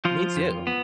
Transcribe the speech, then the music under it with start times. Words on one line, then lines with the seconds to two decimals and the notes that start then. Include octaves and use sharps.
Me too.
0.05 F3 F4
0.36 F2
0.67 B3